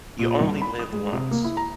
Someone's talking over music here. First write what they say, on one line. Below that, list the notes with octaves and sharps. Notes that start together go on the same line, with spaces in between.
"You only live once,"
A#2
G2
B5
D#6
G#3
C3
A#3
E4
A#5